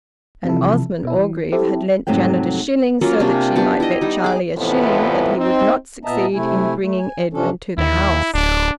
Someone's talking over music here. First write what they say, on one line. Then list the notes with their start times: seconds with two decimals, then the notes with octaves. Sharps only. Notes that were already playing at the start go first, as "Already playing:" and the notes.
And Osmond Orgreave had lent Janet a shilling so that she might bet Charlie a shilling that he would not succeed in bringing Edwin to the house.
0.45 C3 E3 F3 E4 A4
1.03 B2 E4
1.16 E3
1.52 C4 E4 G4 A4
2.07 F2 G#2 C3 F#3 A3 G5
3.01 F#3 A#3 C#4 F4
3.20 C3 A#3 D4
3.56 B3 D4 G4
3.80 E4 D#5
4.01 G3 D#4
4.24 G#4 D6
4.56 F2 A2 C3 E3 F3 B3
5.37 C4 D#4
6.05 A#2 B3 D#5 E5 A5 A#5
6.34 C3 A3 E4 G#5
6.81 A3
6.99 G#5
7.33 C3 F3 C#4 D4 A4
7.78 D#2 E4
8.34 D1 D4